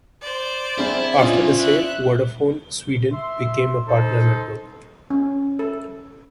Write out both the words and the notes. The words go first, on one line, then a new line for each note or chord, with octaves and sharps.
After the sale, Vodafone Sweden became a partner network.
C5 D5
C4 D4 E4 G#4
C#4 D4 E4 F4 C5 D5 D#5 G#5
E5 F#6
E5 C6
D#4 A4 C5
C#4
A4